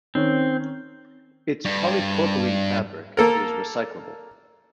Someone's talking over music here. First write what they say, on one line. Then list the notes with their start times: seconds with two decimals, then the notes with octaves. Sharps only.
Its polypropylene fabric is recyclable.
0.15 D#3 C4 C#4
1.65 G2
3.17 A#3 A4 A#4